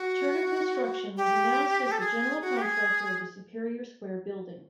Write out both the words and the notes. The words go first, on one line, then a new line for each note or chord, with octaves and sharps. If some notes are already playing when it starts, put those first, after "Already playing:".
Turner Construction was announced as the general contractor of the Superior Square building.
Already playing: F#4
G4
A4
G#4
F#4
G4
G#4